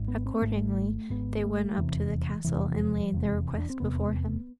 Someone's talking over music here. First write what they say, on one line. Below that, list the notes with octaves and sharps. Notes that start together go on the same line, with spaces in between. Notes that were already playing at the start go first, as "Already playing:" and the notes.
Accordingly they went up to the castle and laid their request before him.
Already playing: G#1 G#2
B3
C4
G#1 G#2 A3
G#1 G#2 B3
A3
F1 E2 C3 E3
F1 E2 C3 E3
F3
F1 E2 C3
D4
C4
F1 E2 C3 B3